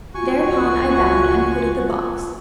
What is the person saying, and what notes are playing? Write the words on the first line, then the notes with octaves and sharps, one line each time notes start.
Thereupon I bowed and quitted the box.
C#2 F3 A3 F4 F#4 G#5 C#6